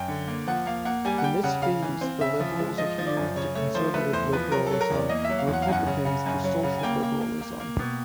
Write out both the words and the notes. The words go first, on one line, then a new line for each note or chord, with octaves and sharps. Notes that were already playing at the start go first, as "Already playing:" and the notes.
In this phase the Liberals adhered to conservative liberalism and Republicans to social liberalism.
Already playing: F#2 G5
D3
A#3
F3 F#5
A#3 F5
A#3 F#5
G3 G#5
F#5
G3 G5
C#3 F#5
C#3 F5
E3
C4
C#3 E5
F3
G#3
F3 D#5
F3
D5
F#2
C#3 C#5
A3 C#5
F3 C5
A3 B4
E2 C5
F3 B4
F#3 A#4
F#3 A4
A#4
E2
D5
A#3 D#5
F#3 E5
F5
E2
F#5
F5
F#2 F#5
C#3
C#3
F#2
F#3
C#3
G#5
A#3 G5
A#3
A#3
A#3
A#3
B2